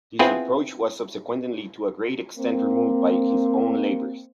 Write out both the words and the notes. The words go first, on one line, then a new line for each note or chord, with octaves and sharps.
This reproach was subsequently to a great extent removed by his own labours.
B3 C4 E4 F4 G#4 B4
A#3 C4